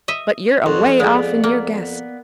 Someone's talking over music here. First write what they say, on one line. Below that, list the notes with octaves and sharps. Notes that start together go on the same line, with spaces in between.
But you're away off in your guess.
D#5 E5
F2 F#3 F#4 C6
G#3 B3 D5 F5
A#3